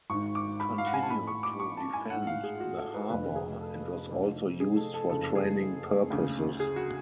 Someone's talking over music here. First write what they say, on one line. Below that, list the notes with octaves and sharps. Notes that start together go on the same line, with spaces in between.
It continued to defend the harbour and was also used for training purposes.
G#1 G#2 C#6
D6
B5
F5
F#5
G#5
A5
A1 A2 B5
C#6
D6
C#6
A5
G#5
A1 G#2 F#5
F5
G#4
F4
F#4
A4
B4
F1 F2 D3 B4
G#4
A4
F1 F2 D3
G#4
A4
A4
F#1 F2 C#3 A4
G#4
D2 C#3
G#4
F#4